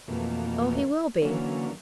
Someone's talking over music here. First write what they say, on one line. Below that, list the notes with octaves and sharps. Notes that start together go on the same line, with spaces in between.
'Oh, he will be.
F2 B2 E3 A3 A#3
D3 E3 F#3 A#3 C#4